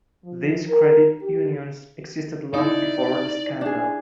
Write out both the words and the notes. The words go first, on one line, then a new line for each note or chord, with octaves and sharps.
These credit unions existed long before the scandal.
F3
A#4
G4
D#4 E4 D5
D4 G#4